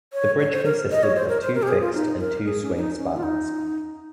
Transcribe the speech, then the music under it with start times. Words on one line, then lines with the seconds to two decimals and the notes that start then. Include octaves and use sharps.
The bridge consisted of two fixed and two swing spans.
0.13 C#5
0.40 C#5
0.52 C5
0.65 A#4
0.91 D#5
1.03 C#5
1.16 C5
1.29 A#4
1.42 C5
1.55 A#4
1.62 G4
1.68 G#4
1.81 F4
1.94 D#4
2.19 A#4
2.45 G#4
2.62 C#4
2.76 C#4
2.79 D#4
2.97 C#4
3.16 F4
3.23 D#4